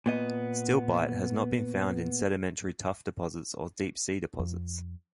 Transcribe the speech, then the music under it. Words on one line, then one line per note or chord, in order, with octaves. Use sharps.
Stilbite has not been found in sedimentary tuff deposits or deep-sea deposits.
A#2 B3 D#5
F2